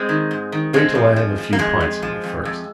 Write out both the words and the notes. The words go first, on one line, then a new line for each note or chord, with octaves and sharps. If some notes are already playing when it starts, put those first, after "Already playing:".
Wait till I have a few pints in me first.
Already playing: G#3 C4
D#3
G#2
D#3
F3 G#3 C4
F3
F3
F3
A#3
F2 G#3
F2
F3
F2
F2